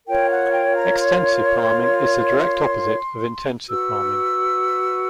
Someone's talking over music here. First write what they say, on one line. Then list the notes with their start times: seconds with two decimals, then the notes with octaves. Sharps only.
Extensive farming is the direct opposite of intensive farming.
0.07 F4 A#4 C#5 G5
0.30 F#5
0.52 G5
0.75 A#5
0.98 C6
3.68 F#4 B4 E6